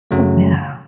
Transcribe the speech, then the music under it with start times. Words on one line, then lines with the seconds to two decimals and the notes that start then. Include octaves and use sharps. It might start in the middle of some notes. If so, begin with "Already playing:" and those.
Oh, yeah.
0.11 F#2 C#3 F#3 A3